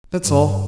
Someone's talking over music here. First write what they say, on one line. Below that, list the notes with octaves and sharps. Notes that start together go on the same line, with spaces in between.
That's all.'
G2